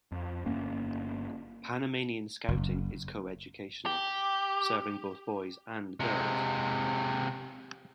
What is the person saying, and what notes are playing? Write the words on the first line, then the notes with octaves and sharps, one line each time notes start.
Panamanian Scouting is coeducational, serving both boys and girls.
F2
G1 A#3 C#4
F#1
G4
C3 G#3